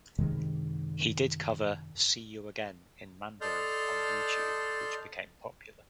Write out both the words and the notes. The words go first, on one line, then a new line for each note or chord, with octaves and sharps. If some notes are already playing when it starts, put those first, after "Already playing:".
He did cover "See You Again" in Mandarin on Youtube which became popular.
F#2 C3 D#3 G#3
A4 D5 D#5 C6 F6 G6